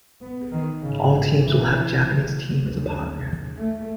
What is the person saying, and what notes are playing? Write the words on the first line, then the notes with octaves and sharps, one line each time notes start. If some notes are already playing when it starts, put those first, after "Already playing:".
All teams will have a Japanese team as a partner.
B3
D#3
A1 G#2 C#3
E3
D#2 C#3
A3